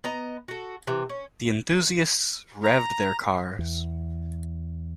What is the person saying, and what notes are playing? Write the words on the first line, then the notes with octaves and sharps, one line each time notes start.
The enthusiasts revved their cars.
B3 D#5 A#5
F#4 A4
C3 E3
C#4
A#5
E2